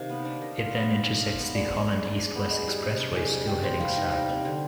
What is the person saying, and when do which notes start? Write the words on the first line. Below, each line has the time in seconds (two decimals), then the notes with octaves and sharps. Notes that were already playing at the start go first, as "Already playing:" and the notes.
It then intersects the Holland East-West Expressway, still heading south.
Already playing: C3 D#3 F5
0.09 B3
0.25 D4
0.42 D#3
0.57 F4 F5
0.74 B3
0.90 D#3
1.06 D4
1.22 F4
1.38 B3
1.54 G#3 D5
1.71 B3
1.87 G#3
2.03 D4
2.18 G#3
2.35 B3
2.51 G#4 D#5
2.67 G3
2.84 C3
3.00 D4
3.16 G#4
3.31 G3
3.47 G3 G5
3.63 C4 G5
3.80 G3 F5
3.96 D#4 G5
4.04 F5
4.12 G3 G5
4.29 C4
4.45 D3